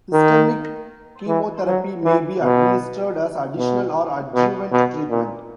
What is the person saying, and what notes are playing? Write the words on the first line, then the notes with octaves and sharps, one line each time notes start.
Systemic chemotherapy may be administered as additional or adjuvant treatment.
D#3
E3
F#3
E3
B2
B2
B2
B2
A#2